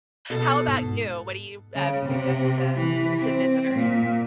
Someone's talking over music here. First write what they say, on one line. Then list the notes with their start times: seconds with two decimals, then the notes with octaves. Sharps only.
How about you? What do you, um, suggest to to visitors?
0.30 B2 A4
0.68 G#2
1.75 C#3
2.05 C3
2.76 E3
3.20 C4
3.74 A#2